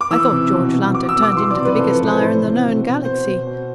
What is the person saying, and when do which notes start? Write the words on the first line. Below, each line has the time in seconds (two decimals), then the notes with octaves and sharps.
I thought George Lunt had turned into the biggest liar in the known galaxy.
0.01 D6
0.10 E3 E6
0.31 C3
0.53 B2
0.74 B2
0.94 B2 D6
1.09 E6
1.16 B2
1.23 D6
1.36 E3 C6
1.51 D5
1.58 C3
1.65 B4
1.79 F3 A4
1.92 B4
2.00 A2
2.06 C5
2.20 E3
2.42 C3
2.63 B2
2.84 B2
3.04 B2 C5
3.26 B2
3.46 B2